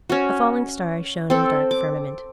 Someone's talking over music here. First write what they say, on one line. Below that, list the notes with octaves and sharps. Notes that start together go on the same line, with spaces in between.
A falling star shone in the dark firmament.
C#4 F#4
C4 A4
D6